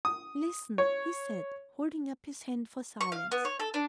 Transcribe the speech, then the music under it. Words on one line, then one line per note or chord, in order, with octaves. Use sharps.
"Listen!" he said, holding up his hand for silence.
D#6
C#5
C#6
F5
B3
C#5
A4
D4